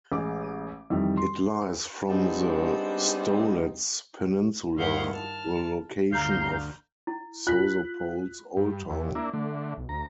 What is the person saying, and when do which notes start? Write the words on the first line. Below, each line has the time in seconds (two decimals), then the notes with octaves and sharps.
It lies from the Stolets peninsula, the location of Sozopol's Old Town.
0.12 A1 G#3 D6
0.90 F2 D#3 E3 G3
1.17 C6
2.08 G3 G#3 B3 C4 D4 D#4
4.77 G2 D#3 E4 F5 F#5 G6
5.13 A5 F6
6.12 G1 D2 F5 A#5 G6 C7
7.07 E4
7.47 F4 F#6 B6
8.57 G2
8.90 E2
9.15 A#3 D4 E4
9.33 D3 A3
9.77 B1
9.89 D2 A#5